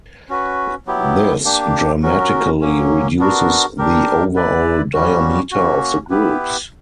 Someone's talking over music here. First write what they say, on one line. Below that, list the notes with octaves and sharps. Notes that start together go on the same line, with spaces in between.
This dramatically reduces the overall diameter of the groups.
C#4 F#4 B4
F#3 B3 E4 G4
A#3 D4 G4
F#3 C#4 F#4 A#4
F#3 A#3 C#4
B3 D4 F#4 A#4
D4 G4 A#4
E4 B4 D5
G3 A#3 C#4 F#4
A#3 C#4 F#4
B3 E4 G4 B4